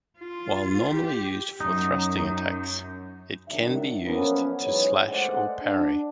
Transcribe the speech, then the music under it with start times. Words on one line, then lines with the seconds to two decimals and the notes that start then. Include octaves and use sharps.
While normally used for thrusting attacks, it can be used to slash or parry.
0.19 F4
0.92 G4
1.60 F#2 D#4
3.48 C#2 D#3 F#3 D4 E5
4.05 F#2 F3 A#3 B3 C#4
4.62 E3 F#3 G#3 D#4 B4 C#5
5.09 G#3 A3 C5 D5 F#5
5.63 D4